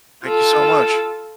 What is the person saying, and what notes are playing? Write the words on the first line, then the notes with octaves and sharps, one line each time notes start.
Thank you so much.
F4 A4